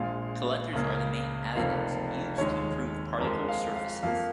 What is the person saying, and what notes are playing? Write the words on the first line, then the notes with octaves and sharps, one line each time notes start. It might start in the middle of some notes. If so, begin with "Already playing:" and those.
Collectors are the main additives used to improve particle surfaces.
Already playing: A#1 A#2 G#3 F5
C#2 C#3 A#3
F1 F2 F3 A#3 F5
D#2 D#3 G#3 C#5
F2 F3 G#3 A#4
F5
F5
F2 F3 A#3 F5